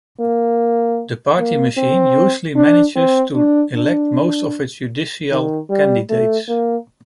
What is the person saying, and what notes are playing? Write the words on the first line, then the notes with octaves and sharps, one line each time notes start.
The party machine usually manages to elect most of its judicial candidates.
A#3
A#3
C4
D4
C4
D4
D4
D#3
G3
A3
A#3